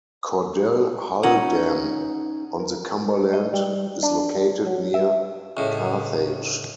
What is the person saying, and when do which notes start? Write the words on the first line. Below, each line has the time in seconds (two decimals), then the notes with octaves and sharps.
Cordell Hull Dam on the Cumberland is located near Carthage.
1.23 C#4 D#4 F#5
2.60 A#4
3.33 D#5
3.53 G3
4.03 D4
4.66 F#3
4.94 E5
5.57 C#2 A2